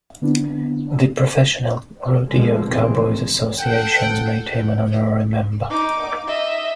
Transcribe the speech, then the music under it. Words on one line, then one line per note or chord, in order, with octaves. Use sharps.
The Professional Rodeo Cowboys Associations made him an honorary member.
D3 B3 C4 D4 E4
B2 D3 F3 G#3
F1 A#1 C#3 E3 C4
A4 F#5 G5
D#4 D6
D#5 E5